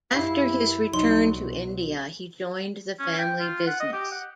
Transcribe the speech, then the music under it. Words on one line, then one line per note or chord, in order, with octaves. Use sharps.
After his return to India, he joined the family business.
F#2 E4 G4 F5
C2 F#3 D#4 C6
B2
C#4
G5
F4
F#5
D#5
G4
F#5